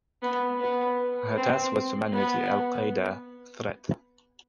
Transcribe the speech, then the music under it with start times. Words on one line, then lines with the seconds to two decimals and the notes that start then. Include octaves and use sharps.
Her task was to manage the Al Qaeda threat.
0.22 B3
0.60 B3
1.37 C4
2.13 B3